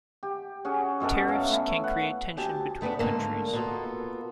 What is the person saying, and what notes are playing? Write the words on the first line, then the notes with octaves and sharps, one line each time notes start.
Tariffs can create tension between countries.
G4
C#4 F#4 G#4
F#2 B2 C#4 A4
E4 E5 F5 A#5
A3 E4
F#5
D2 G4 G#5 A5
C#3 A3 B3 C4 D4
G#2 D3 A3 A#3
B2 A#3 B3 F4 A4